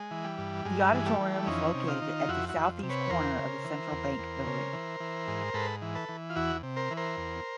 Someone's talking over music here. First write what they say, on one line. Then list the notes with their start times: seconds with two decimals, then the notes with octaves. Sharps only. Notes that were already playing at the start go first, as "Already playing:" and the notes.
The Auditorium is located at the South-East corner of the Central Bank building.
Already playing: G#3
0.11 E3
0.24 G3
0.38 G2
0.65 G2 G#3
0.92 E3 G#3
1.06 G3 A3
1.20 E3
1.46 F2 C#4 D#4
1.74 C3
1.88 D#4 F4
2.02 D#3
2.28 F2 E4 F#4
2.49 E4 F#4
2.56 F2
2.83 C3
2.89 B4 C#5
3.10 E2 A#4 C5
3.37 C#3
3.64 E3
3.92 E2
4.18 E2
4.46 C#3
4.73 E3
5.00 E3
5.28 G#2
5.54 G#2 A4 B4
5.82 E3
5.95 A4 B4
6.09 E3
6.30 F4
6.36 E2 E4 F#4
6.63 C3
6.76 A#4 C5
6.90 E3
6.97 A#4 C5
7.17 E2